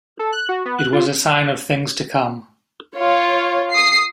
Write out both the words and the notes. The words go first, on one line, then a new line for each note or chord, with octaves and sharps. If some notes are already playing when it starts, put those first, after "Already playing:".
It was a sign of things to come.
A4
F#6
F#4
B3
F#6
F4
F4 C#5
D#6 C7